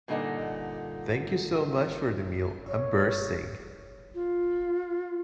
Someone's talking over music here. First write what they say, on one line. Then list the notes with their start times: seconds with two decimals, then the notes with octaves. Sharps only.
Thank you so much for the meal, I'm bursting!.
0.08 G2 A#2 D3 D#4 A4 F#5
2.65 C#5
4.15 F4